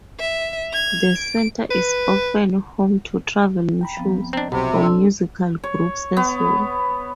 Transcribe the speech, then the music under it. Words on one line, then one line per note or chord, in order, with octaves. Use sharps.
The Center is often home to traveling shows, or musical groups as well.
E5
G#6 F7
D7
B4
G5 A#5 B5
F3 B3 C4
C4 D4 D#5 A#5
B1 C3 F#4 B5
C4 D4 A4 D5 C6 E6
C#5
B3